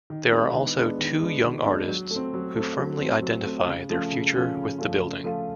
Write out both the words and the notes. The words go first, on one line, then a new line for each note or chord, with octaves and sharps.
There are also two young artists who firmly identify their future with the building.
D#3
G#3 B3 D4
D#3
G#3 B3 D4
D#3
G#3 B3 D4
D#3
G#3 B3 D4
F#3
A3
C4
F#3
A3 C4
F#3
A3 C4
F#3
A3 C4
C#3
F3 A3 C#4 F4
C#3
F3 A3 C#4 F4
C#3
F3 A3 C#4 F4
C#3
F3 A3 C#4 F4